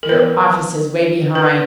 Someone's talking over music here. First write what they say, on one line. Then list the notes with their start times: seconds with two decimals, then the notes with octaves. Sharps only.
Your office is way behind.
0.03 A#4
0.09 E3 B3 B4
1.35 B4